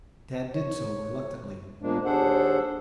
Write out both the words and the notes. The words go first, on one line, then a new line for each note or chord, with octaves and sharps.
Tad did so reluctantly.
C#5
E2 A#2 F3 G#3 A#3 D4
D#2 D4 G#4 A4 C5 F#5